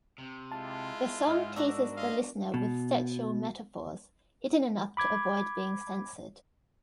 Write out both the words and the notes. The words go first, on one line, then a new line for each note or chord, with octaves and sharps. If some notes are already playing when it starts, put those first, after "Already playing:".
The song teases the listener with sexual metaphors, hidden enough to avoid being censored.
C3
G#3 E4 F4 A5
G#2 D#5 E5 F6
D4 F#4 A#4 E6
F4 D#5 F5
B2
B5 D6 G#6